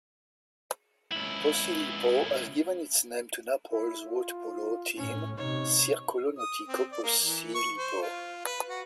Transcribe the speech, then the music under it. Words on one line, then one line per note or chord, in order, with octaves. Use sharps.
Posillipo has given its name to Naples' waterpolo team, Circolo Nautico Posillipo.
C#2 E4
E4
F4
A2 C#4
C3 D#4 C#5
D#6
C4
D5
A#3
E3
C#6
C5
F4
B4
F#4